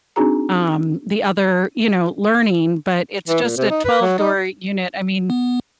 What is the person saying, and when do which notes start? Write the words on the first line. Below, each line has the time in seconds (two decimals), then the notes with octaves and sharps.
um, the other, you know, learning, but it's just a twelve-door unit. I mean,
0.16 C4 D4 D#4 F#4 G#4 A#5
3.28 E3
3.43 A#2
3.57 C3
3.70 D#4
3.85 B4
4.02 F#3
4.19 D#4
5.30 B3